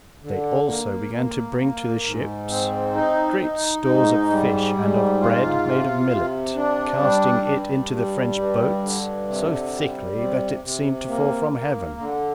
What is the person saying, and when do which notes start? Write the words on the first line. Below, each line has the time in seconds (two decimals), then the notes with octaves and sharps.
They also began to bring to the ships great stores of fish and of bread made of millet, casting it into the French boats so thickly that it seemed to fall from heaven.
0.24 D3
0.69 A#3
1.15 A#3
1.59 A#3
2.05 G#2
2.50 C4
2.95 D#4
3.40 D#4
3.85 G#2
4.31 G3
4.76 G#2
5.21 F4
5.66 C3
6.11 C3
6.56 D4
7.01 G3
7.47 G2
7.92 G3
8.37 G2
8.83 D3
9.28 C3
9.73 G3
10.18 C3
10.64 C3
11.08 A#3
11.54 A#3
11.99 D3